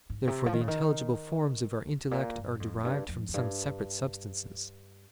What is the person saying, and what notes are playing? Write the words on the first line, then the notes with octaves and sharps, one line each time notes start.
Therefore the intelligible forms of our intellect are derived from some separate substances.
G#2
C3
F3
D#3
C#3
D#3
G#2
A#2
G2
F2
G2
F2
F2
G2